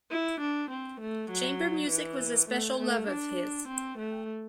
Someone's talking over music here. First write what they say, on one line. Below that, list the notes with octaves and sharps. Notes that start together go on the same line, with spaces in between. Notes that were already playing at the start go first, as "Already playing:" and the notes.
Chamber music was a special love of his.
E4
D4
C4
A3
F#3
E3
A3
A3
D4
C4
A3